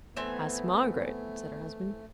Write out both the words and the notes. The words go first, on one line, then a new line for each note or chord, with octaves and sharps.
'Ask Margaret,' said her husband.
E3 A3 B3 C4 G#5